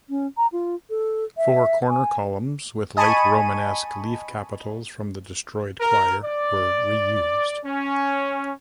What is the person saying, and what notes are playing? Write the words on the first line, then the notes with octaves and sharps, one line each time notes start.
Four corner columns with late Romanesque leaf capitals from the destroyed choir were reused.
C#4
A#5
F4
A4
E5
G#5
D#5 G#5 A5 B5 C#6 D#7
A#4
D5
C#4